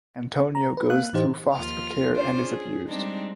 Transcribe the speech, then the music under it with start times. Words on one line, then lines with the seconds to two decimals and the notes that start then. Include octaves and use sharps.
Antonio goes through foster care and is abused.
0.55 A#5
0.77 B4
0.90 A#3 F5 F#6
1.13 A2 E3 D#4 G4 C5
1.55 D#2 F3 F4 F6
2.13 C#4 D4 F4 G4 C5 D5
2.43 G#4
2.87 G3 G#3 C4 D4 D#4